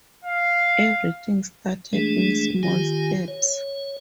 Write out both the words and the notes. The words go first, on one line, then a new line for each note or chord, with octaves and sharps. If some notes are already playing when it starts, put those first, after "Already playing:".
Everything started in small steps.
F5
E3 G#3 A3 D4 G#4
D#3 F4 G4 G#5
C#5